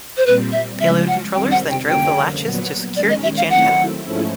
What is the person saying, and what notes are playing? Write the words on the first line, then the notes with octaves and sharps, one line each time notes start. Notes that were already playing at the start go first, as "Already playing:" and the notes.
Payload controllers then drove the latches to secure each antenna.
C5
A#2 G3 C4 B4
E5
C#3 F3 G#3 C#4 E5
F#5
F2 C3 D#3 G3 C4 G5
F#5
G5
F2 D3 G3 A#3 C#4 G5
A#2 F#3 B3
D#3 G#3 C#4 D5
D#5
E5
F5
D#3 F#3 A3 C4 E4 F#5
G#2 F3 A3 C#4 E4